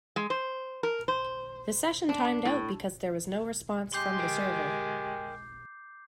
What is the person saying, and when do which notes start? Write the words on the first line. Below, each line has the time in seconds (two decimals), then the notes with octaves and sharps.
The session timed out because there was no response from the server.
0.16 G#3
0.30 C5
0.83 A#4
1.08 C5
2.09 D4
2.45 A2
3.94 G#3 G4 C6 D6 G6 C7
4.19 A#4 G5